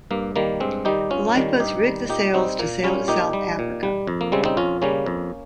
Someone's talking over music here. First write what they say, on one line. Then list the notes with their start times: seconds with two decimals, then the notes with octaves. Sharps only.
The lifeboats rigged the sails to sail to South Africa.
0.11 G2 A#3
0.36 D#3 G3 A#3
0.60 G2 G#3 C4
0.85 D#3 G3 D#4 G4
1.10 G2 C#4 F4
1.36 D#3 G3
1.60 G2 D#4 G4
1.84 D#3 G3
2.09 A#2 D#4 G4
2.34 G3 C4 D#4
2.59 A#2 A#3
2.84 G3 C#4 F4
3.08 A#2 D#4 G4
3.33 G3
3.59 A#2
3.83 G3
4.07 F2
4.21 A#3
4.32 C#3 G3 G#3 C4
4.45 C4 D#4
4.57 F2 C#4 F4
4.82 C#3 G3 A#3 C#4
5.06 F2